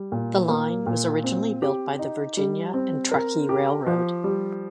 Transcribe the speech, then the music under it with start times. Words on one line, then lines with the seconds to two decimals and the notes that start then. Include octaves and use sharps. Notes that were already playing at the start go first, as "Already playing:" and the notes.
The line was originally built by the Virginia and Truckee Railroad.
Already playing: G3
0.12 A#2
0.49 A#3
0.86 A#2
1.24 C4
1.62 G4
1.99 D#4
2.37 G3
2.74 C4
3.12 A#4
3.49 G4
3.87 F3
4.24 G3